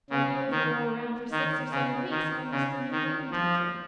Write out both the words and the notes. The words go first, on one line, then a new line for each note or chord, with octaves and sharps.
I won't be able to go around for six or seven weeks and I'll miss the new lady teacher.
C#3
D#3
D#3
C#3
D#3
C#3
D#3
F3